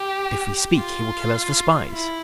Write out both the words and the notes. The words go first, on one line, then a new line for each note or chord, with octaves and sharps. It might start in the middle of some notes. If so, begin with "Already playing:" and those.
But if we speak, he will kill us for spies.
Already playing: G4
F4
E4